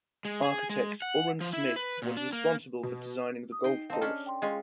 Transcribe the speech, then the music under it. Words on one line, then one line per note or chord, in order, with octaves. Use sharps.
Architect Orrin Smith was responsible for designing the golf course.
G#3
G#4
G#3
F#5
F3
E4
B4
A#2
D4
A#3
B2
D#6
D#4 D#5 G5 C7
C4 D#4 F5 A5
C#4 D4 A4 F6
G5 C6
G#3 C#4 F4